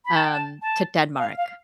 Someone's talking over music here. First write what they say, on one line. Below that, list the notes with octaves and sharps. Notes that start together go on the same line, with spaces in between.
um, to Denmark,
B5
A5
G5
A5
A5
F5
F5